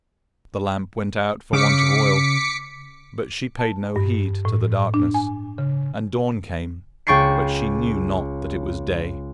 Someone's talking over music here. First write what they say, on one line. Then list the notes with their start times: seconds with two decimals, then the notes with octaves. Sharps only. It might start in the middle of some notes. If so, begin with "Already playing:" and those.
The lamp went out for want of oil, but she paid no heed to the darkness, and dawn came, but she knew not that it was day.
1.53 C#3 D6 B6 C#7
3.59 A5
3.96 G2
4.45 A2
4.94 D4
5.14 G#5
5.58 C#3
7.07 C#2 G5 C#6 A6 C7